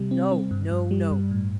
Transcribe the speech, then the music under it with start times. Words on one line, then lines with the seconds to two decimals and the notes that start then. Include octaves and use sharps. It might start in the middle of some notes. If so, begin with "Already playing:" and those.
"No, no, no!"
Already playing: C3 G3
0.11 C4
0.32 C4
0.51 G2
0.71 G2
0.91 G3
1.11 G2
1.31 A2